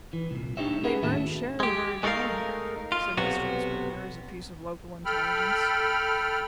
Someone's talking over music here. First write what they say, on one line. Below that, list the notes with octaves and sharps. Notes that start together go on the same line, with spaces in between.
'They burn sherry very well here,' said Mr Inspector, as a piece of local intelligence.
E3
C2 A#2
D4 D#4 G4 C#5 D#5 E5
C#4 G4 G#4 B4 E5 F#5
D#2 A2 D4 F#4 A4 E5
G#3 G4
G#3 A3 D#4 A4 A#4 F5
F4
B1 C3 B3 F#4
A4 G5 B5 F6